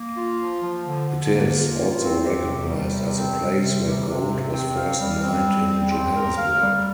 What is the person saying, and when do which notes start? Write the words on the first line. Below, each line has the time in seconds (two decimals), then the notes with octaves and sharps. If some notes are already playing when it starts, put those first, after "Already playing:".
It is also recognized as the place where gold was first mined in Johannesburg.
Already playing: A#3
0.17 F4
0.40 F3
0.63 F3
0.86 D3
1.09 D3
1.32 A#3
1.55 F4
1.77 F4
2.01 C4
2.24 G4
2.46 C3
2.69 G3
2.92 C3
3.15 C4
3.38 G3
3.61 C3
3.84 C3
4.07 C3
4.30 C3
4.53 C4
4.76 F5
4.99 G3
5.22 C4
5.45 G3
5.68 C4
5.91 C4
6.13 A#4
6.37 F5
6.60 G3